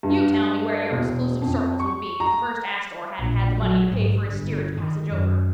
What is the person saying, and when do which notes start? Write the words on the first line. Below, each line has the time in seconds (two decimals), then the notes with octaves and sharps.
"You tell me where your exclusive circles would be if the first Astor hadn't had the money to pay for his steerage passage over?"
0.03 G2
0.91 E1
1.42 F2
1.80 C#6
2.20 A#5
3.19 A#1
3.56 F#3
3.90 G#2
4.30 G1
4.73 D#3
5.08 F#2